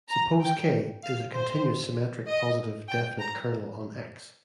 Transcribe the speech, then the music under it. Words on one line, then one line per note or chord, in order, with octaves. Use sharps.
Suppose "K" is a continuous symmetric positive definite kernel on "X".
A#5
G5
F5
C5
D#5
G5
A#5